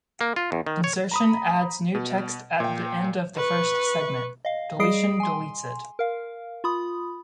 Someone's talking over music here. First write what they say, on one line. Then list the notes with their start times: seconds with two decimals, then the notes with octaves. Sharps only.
Insertion adds new text at the end of the first segment; deletion deletes it.
0.21 A#3
0.36 F4
0.52 E2
0.67 D#3
0.84 C#5
1.11 A#5 B5 D#6
1.95 B2
2.60 A#2 G5
3.37 B4 C#6
4.45 D#5 F5
4.79 G3 G#4 D#5 D#6 C7 D7
5.20 G#5 C6
5.99 A#4 F5
6.64 F4 B5 D#6